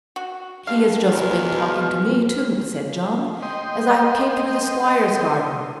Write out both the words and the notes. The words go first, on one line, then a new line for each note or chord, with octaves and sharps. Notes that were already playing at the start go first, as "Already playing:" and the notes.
"He has just been talking to me, too," said John, "as I came through the squire's garden."
F#4
G2 F5
E2 B2 F6
D#5 G5 C6